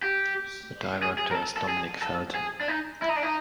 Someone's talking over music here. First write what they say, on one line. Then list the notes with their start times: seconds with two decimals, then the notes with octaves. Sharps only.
The director is Dominique Felten.
0.03 G4
1.02 G#4
1.18 G#4
1.31 A#4
1.35 A4
1.57 A4
1.68 G#4
2.02 A4
2.35 G#4
2.60 D4
2.68 D#4
3.02 E4
3.09 D#4
3.16 D4
3.23 D#4